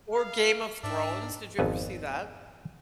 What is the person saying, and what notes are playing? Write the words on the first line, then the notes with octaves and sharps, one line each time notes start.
Or Game of Thrones? Did you ever see that?
F5
G#2 D4 E5
G#1 F2 B3 C4 B4 G#5